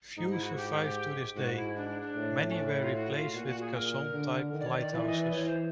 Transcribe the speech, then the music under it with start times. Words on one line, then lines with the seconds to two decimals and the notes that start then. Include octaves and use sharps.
Few survive to this day; many were replaced with caisson-type lighthouses.
0.17 G#2 D#4
0.31 E4
0.43 F#4
0.57 G4
0.70 G4
0.83 G4
1.36 G#2 F#4
1.56 E4
1.76 D4
1.89 D4
2.02 D4
2.16 A2
2.50 C#4
2.55 D4
2.68 E4
2.82 F4
2.95 F#4
3.15 F4
3.34 A#2 F#4
3.47 F#4
3.61 G#4
3.75 A#4
4.13 D3
4.53 D#3
4.60 D5
4.66 C#5
4.80 D5
4.93 E3 D5
5.07 D#5
5.20 D5
5.32 E3 C#5
5.46 C5